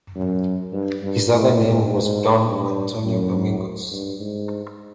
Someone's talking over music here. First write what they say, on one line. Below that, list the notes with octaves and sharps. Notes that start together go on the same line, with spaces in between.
His other name was Don Antonio Domingos.
F#2
G2
G2
A2
G#2
G#2
G2
F#2
G2
G#2